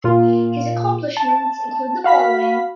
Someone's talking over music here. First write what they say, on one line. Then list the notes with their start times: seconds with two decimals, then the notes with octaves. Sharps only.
His accomplishments include the following.
0.04 A#2 F4
1.17 A5
2.04 F#4 F5 B5 B6